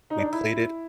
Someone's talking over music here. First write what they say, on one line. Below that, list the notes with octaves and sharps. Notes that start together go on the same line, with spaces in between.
We played it
D#4
D4
D#4
E4